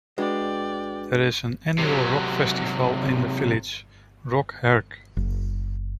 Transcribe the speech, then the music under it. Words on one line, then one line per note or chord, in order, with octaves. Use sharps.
There is an annual rock festival in the village, Rock Herk.
G#3 D4 F#4 B4 D5 G5
C3 F#3
F#1